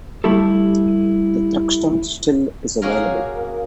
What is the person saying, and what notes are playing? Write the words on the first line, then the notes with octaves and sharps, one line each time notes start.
The Thruxton still is available.
G3 A3 E4 G4 A4
A#3 C#4 F#4 G#4 A#4